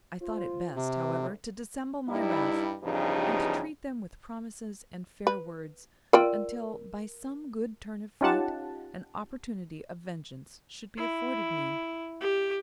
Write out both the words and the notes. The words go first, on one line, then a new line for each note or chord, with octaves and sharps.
I thought it best, however, to dissemble my wrath, and to treat them with promises and fair words, until, by some good turn of fate, an opportunity of vengeance should be afforded me.
F4 C5
C3
G#1 D2
G2 G3 D#4 E4
E2 G2 C#3 F3 D#4 G4
B4
F4 A#4 D5 G5
C#4 D#4 F4 G4 F#5 A5
E4
G4